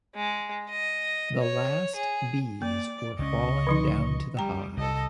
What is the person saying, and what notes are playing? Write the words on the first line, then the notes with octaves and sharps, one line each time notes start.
The last bees were falling down to the hive.
G#3
D#5
C#5
G#4
A#3 D5
C#2 C#4 D#5 C#6
D3 F3 D#4
G3 G5 A#5
C2 A4 D#5